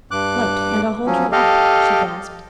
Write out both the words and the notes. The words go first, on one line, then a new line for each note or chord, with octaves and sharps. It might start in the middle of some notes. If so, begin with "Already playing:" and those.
"Float, and I'll hold you up," she gasped.
G2 D6 F#6
F3 F#3 C#4
G4 A4 D#5 F5